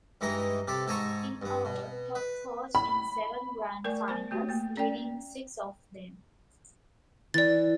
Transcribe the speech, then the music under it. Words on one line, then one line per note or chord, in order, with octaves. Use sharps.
In all, Todd coached in seven Grand Finals, winning six of them.
G2 E3 G#3 D#4 A#5
C3 G4 A4
G#2 A4 C5 G#5 A#5 C#6
G2 B3
B2
B4
B5
A3 A#4 D5 G#5 C#6
B3 C5 G#5
A3 F#4 G4
A3 A#3
C#4 D5 G5
E3 D5 A6